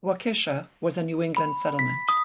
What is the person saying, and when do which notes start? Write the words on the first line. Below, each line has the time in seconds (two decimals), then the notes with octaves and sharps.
Waukesha was a New England settlement.
1.37 B5
1.79 B6
2.09 D#6